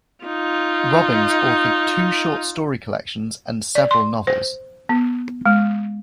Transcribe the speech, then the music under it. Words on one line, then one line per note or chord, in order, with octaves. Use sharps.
Robbins authored two short story collections and several novels.
D#4 F4
D5
C6
C5
B3
G#3